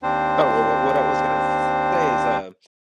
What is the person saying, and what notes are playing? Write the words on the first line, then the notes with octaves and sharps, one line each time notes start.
Oh, well, what what I was gonna s say is, uh,
D#2 C4 D4 C5